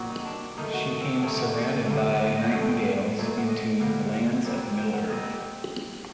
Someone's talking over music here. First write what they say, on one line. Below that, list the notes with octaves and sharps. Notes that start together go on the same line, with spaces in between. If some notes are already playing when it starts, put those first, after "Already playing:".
She came surrounded by nightingales into the lands of Middle-earth.
Already playing: A#2 F#3 C4 F#4
D#4
D4
G2 D#3 A3 D#4
F#4
C4
D4
G2 D#3 A3 C4 D#4
F#4
G4
D3 G3 A#3 A4
F#5
F#5
F#5
D#5
A2 A3 C4 F#5
G5
F#5
A#2 A3 C4
F#5
D#5
D3 G3 A#3
F#5
A#2 G3 C4
G5
F#5
A#2 G3 C4 D#5